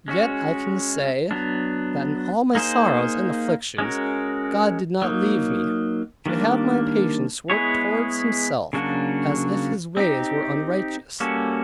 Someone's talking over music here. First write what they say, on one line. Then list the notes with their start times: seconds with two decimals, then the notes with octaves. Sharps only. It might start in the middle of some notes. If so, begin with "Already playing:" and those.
Yet I can say, that in all my sorrows and afflictions, God did not leave me to have my impatience work towards Himself, as if His ways were unrighteous.
0.08 G#3 C#4 F#4
1.31 F#3 B3 D4
2.55 A#3 D#4 G#4 C5
3.78 G#3 C#4 F#4 A#4
5.02 F#3 A#3 D#4
6.26 D#3 G3 A#3 D4
7.50 G#3 B3 E4 G#4 C#5
8.73 C#3 F#3 A#3 D4 F#4
9.97 C4 D#4 G4
11.20 G3 A#3 C#4 F#4 A4